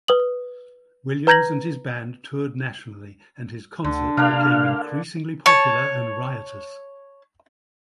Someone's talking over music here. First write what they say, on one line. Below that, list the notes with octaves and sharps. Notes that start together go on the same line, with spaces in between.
Williams and his band toured nationally, and his concerts became increasingly popular and riotous.
B4 D#6 F#7
B4 A#5 G6 G#6 A#6 F#7
D2 D3
C3 A#3 D4 F5
C#5 A5